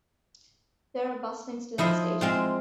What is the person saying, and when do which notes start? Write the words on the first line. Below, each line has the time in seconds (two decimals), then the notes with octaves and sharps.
There are bus links to that station.
1.78 F3 E4 D#5 C6
2.21 G#3 C4 F4